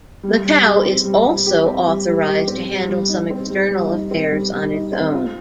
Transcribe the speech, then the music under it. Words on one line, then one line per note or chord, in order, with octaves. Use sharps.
Macau is also authorised to handle some external affairs on its own.
G3
G3
G4
C4
G3
G3
G4
C4
G3
G3
G4
C4
G3
G3
D#4
C4
G3
G3
D#4
C4
G3
G3
D#4
C4
F4